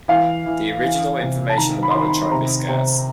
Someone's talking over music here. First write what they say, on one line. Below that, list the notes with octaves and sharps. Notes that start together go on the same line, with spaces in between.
The original information about the tribe is scarce.
E3 F5
E3
E3
C3
A5
D#3 A#5
B5
C6
D#3 B5
B5
C3 A#5
C3